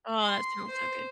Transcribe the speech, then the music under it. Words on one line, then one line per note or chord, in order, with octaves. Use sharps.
Oh, that sounds so good.
C6
C5